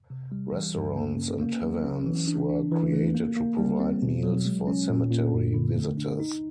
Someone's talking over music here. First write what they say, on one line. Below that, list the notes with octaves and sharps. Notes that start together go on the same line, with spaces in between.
Restaurants and taverns were created to provide meals for cemetery visitors.
C3
G3
E3
G2
A#3
C#4
A#3
F#3
C#4
E3
D4
D4
E3
A3
A#3
A#3
G3
C4
B2
F#3
G#3
C#4
A#2
A#2
F#2
D3
A3
D4
D#4